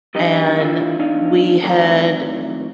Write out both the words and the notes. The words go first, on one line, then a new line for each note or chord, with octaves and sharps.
And we had
F#3 B3 D4 D#4 G4 D#5
E3 D4 E4 F4
E2 D4 D#4 D5 F5
F2 A2 D#3 F#3 D5 A#5